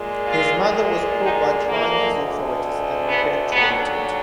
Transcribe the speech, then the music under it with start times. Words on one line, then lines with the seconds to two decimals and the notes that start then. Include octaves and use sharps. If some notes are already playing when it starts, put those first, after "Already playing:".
His mother was caught by Chinese authorities and repatriated.
Already playing: A#2 G#3
0.27 F4
1.20 D#4
1.67 D2 D3 G#3 A#3
3.06 B3
3.52 D#2 D3 F#3 B3